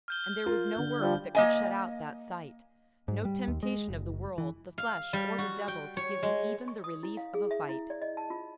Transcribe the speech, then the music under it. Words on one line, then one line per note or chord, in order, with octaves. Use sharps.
And there was no work that could shut out that sight--no temptation of the world, the flesh, or the devil to give him even the relief of a fight.
F6 G6 G7
F4 A#4
D3
F3 G3
A#3 D#5 G#5
G#2
G3
D#2
G#3
F#1
E3
F5
G3
F#4
G5
C#5
G#3
C#6
D#6
E4
F5
G#4
E5
E4
D5
D#5
A5
F4